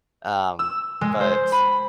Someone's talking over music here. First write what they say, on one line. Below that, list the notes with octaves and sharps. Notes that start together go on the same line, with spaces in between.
um, but,
E6
G#3
C5
B5